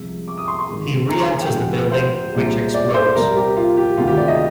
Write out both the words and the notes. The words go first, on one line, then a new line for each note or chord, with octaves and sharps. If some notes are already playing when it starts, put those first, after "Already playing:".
He re-enters the building, which explodes.
Already playing: C2 C3 F3 G#3
D6
D#6
C6
C6
G#2 D#3 G#3
A#5
C6
G#5
G5
D2 D3 F3 G#3
C5
C2 A#2 G#3
D5
C5
C2 C3 G3 A#4
G4
F4
G4
D2 C3 D#3 G#3 F4
G4
D5
D#5